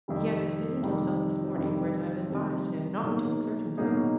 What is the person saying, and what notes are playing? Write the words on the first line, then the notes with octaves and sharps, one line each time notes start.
He has exerted himself this morning, whereas I have advised him not to exert himself.
F2 C3 D#3 G3
F2 C3 D#3 G3
F2 C3 D#3 G3
F2 C3 D#3 G3
B2 F#3 A#3 D#4 G#4
B2 F#3 A#3 D#4 G#4